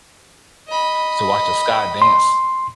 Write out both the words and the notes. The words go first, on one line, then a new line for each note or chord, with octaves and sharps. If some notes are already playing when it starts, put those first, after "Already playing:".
so watch the sky dance,
D#5 B5
C6